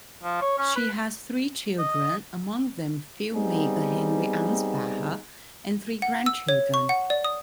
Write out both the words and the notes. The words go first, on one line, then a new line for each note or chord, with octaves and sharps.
She has three children, among them filmmaker Henry Ansbacher, and three grandchildren.
F3
C#5
C#4
B4
D#5
G3 B3 C4 D#4 G#4
F#5
E6
C#5
C#6
F#5
D5
D#6